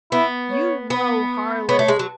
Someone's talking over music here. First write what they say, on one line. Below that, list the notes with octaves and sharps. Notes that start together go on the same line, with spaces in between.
"You low harlot!"
B3 E4
C#5
B3
B3 C#5
A3
G#3
F#3